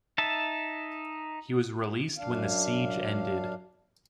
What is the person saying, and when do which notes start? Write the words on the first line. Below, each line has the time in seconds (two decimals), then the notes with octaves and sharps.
He was released when the siege ended.
0.18 D#4 E5 A5
2.18 F#2 D4 F5